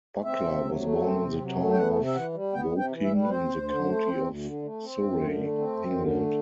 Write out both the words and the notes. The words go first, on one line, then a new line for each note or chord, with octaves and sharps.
Buckler was born in the town of Woking in the county of Surrey, England.
C4 E5
C3
F#3
A3
C4
C3
F#3
A3
G5
B3 F#5
C3
E5
E3 F#5
G3
B3 G5
C3
G5
E3
E5
G3
B4
C4 C5
D2
D3
A3
C4
D2
D3
A3
C4
F#2
D3
A3
C4
F#2
D3
A3